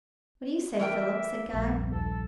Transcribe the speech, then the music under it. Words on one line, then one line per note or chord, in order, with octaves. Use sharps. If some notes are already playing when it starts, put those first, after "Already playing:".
'What do you say, Philip?' said Guy.
E3 A#4 E5 G5
A#1 E2 G2
D#2 A4